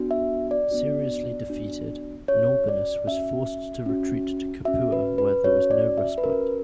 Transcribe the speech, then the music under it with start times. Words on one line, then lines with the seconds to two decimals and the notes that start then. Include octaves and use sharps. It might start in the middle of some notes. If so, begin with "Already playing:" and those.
Seriously defeated, Norbanus was forced to retreat to Capua where there was no respite.
Already playing: B3 D4 F#4
0.11 E5
0.51 D5
0.71 B3 D4 F#4
1.50 B3 D4 F#4
2.28 C#4 F#4 C#5
2.69 D5
3.07 C#4 F#4 E5
3.86 C#4 F#4
4.65 C#4 F#4 E5
4.92 B4
5.18 B4
5.44 C#4 F#4 C#5
5.71 D5
5.98 E5
6.18 B4
6.24 C#4 F#4 A#4